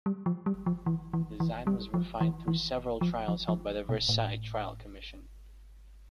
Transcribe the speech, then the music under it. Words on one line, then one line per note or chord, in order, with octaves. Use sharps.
The design was refined through several trials held by the Versailles Trial Commission.
G3
F3
G3
F3
E3
E3
E3
G3
F3
E3
E3
F3
F3
F3
B2
A2